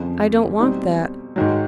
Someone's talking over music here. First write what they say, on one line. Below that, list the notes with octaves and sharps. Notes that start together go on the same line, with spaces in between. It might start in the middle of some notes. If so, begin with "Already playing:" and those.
I don't want that.
Already playing: F2 C#3 F3
B2 G3 C4 D#4
G#2 D#3 F#3